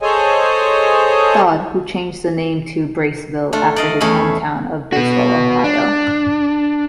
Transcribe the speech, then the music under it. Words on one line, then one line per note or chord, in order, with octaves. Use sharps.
Dowd, who changed the name to Braceville after his home town of Braceville, Ohio.
G#4 A4 C5 C#5 D#5 G#5
A3 D4 F4
D5 D#5 F5
E2 A3 C#4 G#4 F5 B5
B3 F#4
D4